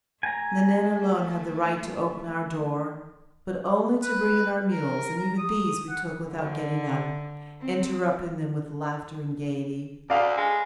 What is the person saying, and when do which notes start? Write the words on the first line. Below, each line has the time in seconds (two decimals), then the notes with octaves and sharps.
Nanine alone had the right to open our door, but only to bring in our meals and even these we took without getting up, interrupting them with laughter and gaiety.
0.23 A3 G#5 A#5
4.02 B4
4.72 A#4
5.19 A#5
5.38 D#6
5.89 F#5
6.28 D3
7.61 C4
10.10 D2 D5 F5
10.37 G#3